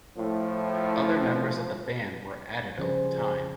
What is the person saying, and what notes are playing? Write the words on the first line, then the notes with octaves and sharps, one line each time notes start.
Other members of the band were added over time.
A2 F3
C#3 F3 G3 G#4 C5